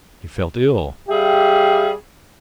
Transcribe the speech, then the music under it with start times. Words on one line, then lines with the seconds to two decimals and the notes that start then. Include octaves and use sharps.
He felt ill.
1.09 G3 G4 G#4 E5 F5